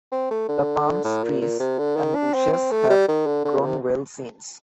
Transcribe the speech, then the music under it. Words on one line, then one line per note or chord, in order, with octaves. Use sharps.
The palms, trees and bushes have grown well since.
C4
A3
D3
A2
A#2
A#2
C3
D3
D#3
D4
C4
C4
A3
G3
D#3
D3
D3
A#2
C3